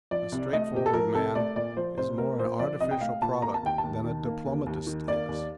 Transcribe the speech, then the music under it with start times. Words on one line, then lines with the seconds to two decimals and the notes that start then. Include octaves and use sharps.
A straightforward man is more an artificial product than a diplomatist is.
0.11 F3 D5
0.32 C2
0.53 A3 D#5
0.73 A#2 G4
0.86 A4
0.93 F3 A#4
1.15 C2 A4
1.35 A3 D5
1.56 A#2 D5
1.77 F3 C5
1.97 C2 C5
2.18 A3 A#4
2.39 A#2 C5
2.59 F3 D5
2.80 C2 D#5
2.91 G5
3.01 A3 F5
3.22 A#2 A5
3.42 A#3 A#5
3.54 A5
3.63 D#2 G5
3.78 A5
3.84 D#2
4.04 D#3
4.25 A#3
4.46 D#2
4.66 D#2
4.87 D#3
5.08 A#3 D5
5.29 D#2